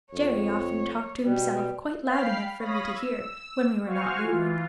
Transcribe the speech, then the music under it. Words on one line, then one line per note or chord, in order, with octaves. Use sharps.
Jerry often talked to himself quite loud enough for me to hear when we were not moving.
F2 C#5
B2 G3
F5 G5 B5 F6 C7
C#5 F5 B5 D#6 A#6
E6
F#4 C5 F5 G#5 C#6 F6
E3 F4